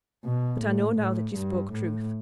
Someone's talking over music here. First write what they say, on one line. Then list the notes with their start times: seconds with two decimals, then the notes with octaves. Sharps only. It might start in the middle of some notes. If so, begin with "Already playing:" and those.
But I know now that you spoke truth.
0.25 B2
0.61 A2
0.98 A2
1.35 G2
1.72 A2